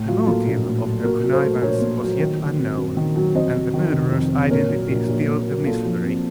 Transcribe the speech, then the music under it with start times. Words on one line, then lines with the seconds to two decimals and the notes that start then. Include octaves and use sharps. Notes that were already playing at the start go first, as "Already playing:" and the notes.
The motive of her connivance was yet unknown, and the murderer's identity still a mystery.
Already playing: A2
0.08 F#3 F4
0.27 A#3 F4 A4
0.46 A#1
0.66 A2
0.85 F#3
1.04 A#2 F#4 A#4
1.23 F#3
1.33 A4 C5
1.43 A3
1.62 A#1 A#4 C#5
1.81 A#2
2.01 F#3
2.20 D#3
2.39 F#3
2.58 C4
2.77 F#2
2.97 D#3
3.16 F#3
3.35 F2 C5 D#5
3.54 C3
3.74 D#3
3.92 F1
4.12 F2
4.31 C3
4.50 A#2 A#4 C#5
4.70 F#3
4.89 A#1
5.08 A#1
5.27 A#2
5.46 F#3
5.66 A#2 F4 A4
5.85 F3
6.04 C4